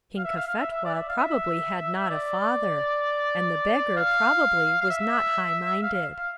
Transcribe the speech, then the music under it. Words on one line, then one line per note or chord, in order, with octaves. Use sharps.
King Cophetua probably had not a father; and the beggar, probably, was not high-minded.
F5
E5
F5
F5
E5
E5
D5
E5
F5
E5
D5
F5
F5
E5
F5
F5
F5